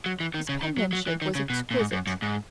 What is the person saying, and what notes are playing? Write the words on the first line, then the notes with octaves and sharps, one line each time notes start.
His penmanship was exquisite.
F#3
E3
D#3
C#3
D#3
F#3
F#3
E3
D#3
C#3
B2
A#2
G#2
F#2
F#2
G#2